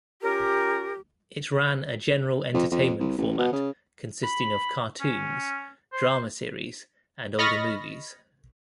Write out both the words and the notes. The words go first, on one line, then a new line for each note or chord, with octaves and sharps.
It ran a general entertainment format consisting of cartoons, drama series and older movies.
C#4 F4 G4 A#4
F2
F2
C2
A1
B2
C#3
B5
C#4
C5
D#5 B5 C#6 F6 A6 A#6